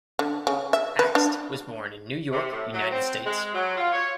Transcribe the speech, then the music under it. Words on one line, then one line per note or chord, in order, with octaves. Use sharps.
Akst was born in New York, United States.
D3
C#3
E5
B4
D4
C3
A2
F#3
C4
G#3
F#3
F4
C#5